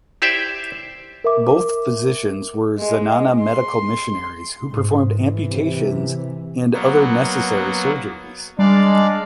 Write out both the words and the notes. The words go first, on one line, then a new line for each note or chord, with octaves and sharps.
Both physicians were Zenana medical missionaries who performed amputations and other necessary surgeries.
E4 G4 C5 D5 E5
A#4 E5 D6
G#3
C6
G#2
E3
C3
F#3 A#3 B3
G3 G#3 D4 D5 F5